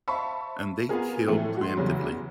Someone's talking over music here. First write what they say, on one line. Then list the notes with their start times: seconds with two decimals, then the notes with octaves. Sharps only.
And they kill pre-emptively.
0.08 C5 E5 F5 A5 B5 C#6
0.89 B3 F4 G#4 A#4
1.27 A2 E3 F3 A3
1.57 F#4 C6
1.77 E2 C#3 F#3 G3